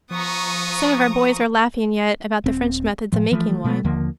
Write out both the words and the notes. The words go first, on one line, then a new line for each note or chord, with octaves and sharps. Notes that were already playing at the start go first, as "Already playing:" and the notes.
Some of our boys are laughing yet about the French methods of making wine.
F3 B3 A#5 C#6 D#6
D#1 C4
A2 F3
E3 F3 A3
B2 G#3 A3 B3
D#2 D3 F3 A#3